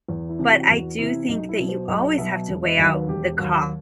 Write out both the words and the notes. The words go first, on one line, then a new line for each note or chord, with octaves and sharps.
but I do think that you always have to weigh out the costs
E2
E4
C3 E3
F#4
E2 F#4
C3 E3 E4
B1 D#4
E4
B2 F#3
C5
B1 D#5
B2 F#3 E5
E1
D#5
D#2 D#3 F#3 D#5
B4
E1 G4
D#2 D#3 F#3 F#4